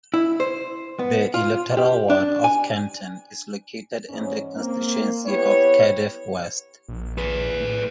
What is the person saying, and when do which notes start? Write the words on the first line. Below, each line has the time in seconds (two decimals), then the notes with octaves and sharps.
The electoral ward of Canton is located in the constituency of Cardiff West.
0.14 E4
0.40 C5
0.99 B3
1.34 F4
1.77 G4
2.10 D4
2.44 G#5
4.09 E2 G#2 C#4
4.54 A#3 C4
5.25 B3 E4 G4 B4 C#5
6.88 A#1
7.18 G#4 B4
7.60 A2